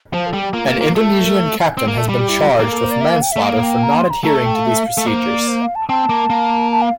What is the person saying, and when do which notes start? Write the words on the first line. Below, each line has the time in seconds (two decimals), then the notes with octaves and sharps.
An Indonesian captain has been charged with manslaughter for not adhering to these procedures.
0.13 F3 C5
0.27 A4
0.33 G3
0.40 G4
0.53 A#3 F4
0.68 A#3
0.74 F4
0.81 A#3
0.95 A3 F4
1.09 A4
1.22 A#4
1.77 C4
1.88 A#3
1.98 A3
2.09 G3
2.19 G4
2.29 E4
2.39 F4
2.49 G4
2.60 A#3 G4
2.70 A4
2.80 C5
2.91 D5
3.01 E5
3.11 F5
3.22 G5
3.32 A3 E5
3.42 A#3 F5
3.63 G5
3.83 A#5
3.97 C6
4.10 A#5
4.24 A3 A#5
4.35 A5
4.45 G5
4.55 F5
4.66 E5
4.86 F5
4.98 A3
5.06 A#3 C5
5.27 D5
5.48 C5
5.62 F5
5.75 A5
5.89 C4 A5
6.09 A#3
6.30 A#3
6.72 A5
6.82 F5